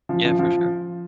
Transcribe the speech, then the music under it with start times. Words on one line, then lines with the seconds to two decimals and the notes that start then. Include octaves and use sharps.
Yeah, for sure.
0.09 F3
0.25 F3
0.39 F3